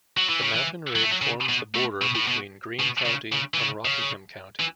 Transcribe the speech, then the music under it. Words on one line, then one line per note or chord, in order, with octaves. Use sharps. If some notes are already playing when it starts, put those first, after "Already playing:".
The mountain ridge forms the border between Greene County and Rockingham County.
F#3
E3
C#3
E3
F#3
A3
F#3
C#3
B2
A2
B2
A2
B2
B2
C#3
C#3
E3
C#3
C#3
E3